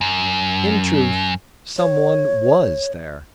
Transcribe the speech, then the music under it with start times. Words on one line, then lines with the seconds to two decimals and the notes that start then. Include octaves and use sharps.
In truth, some one was there.
0.01 F#2
1.78 C#5